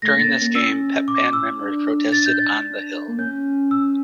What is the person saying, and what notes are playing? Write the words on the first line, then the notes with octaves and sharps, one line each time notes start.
During this game, Pep Band members protested on "The Hill".
A3 A#6
A#3 A6
C#4
A#3
C#4 E6
D6
E6
D4
A6
G6
A6
A#3
C#4 G6
E6